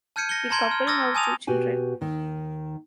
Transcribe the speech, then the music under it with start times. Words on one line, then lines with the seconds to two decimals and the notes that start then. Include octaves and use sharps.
The couple have two children.
0.16 A5 F6 G6 G#6 C#7 D#7
0.29 A#6 C#7 G7
0.50 A5 A#5 C6 G#6 D7 G7
0.71 F6
0.87 D6 E6 F6 A6 A#6
1.15 G#5 A5 D#6 F7
1.47 B2 F#4 G4 G#5
2.01 D#2 D#3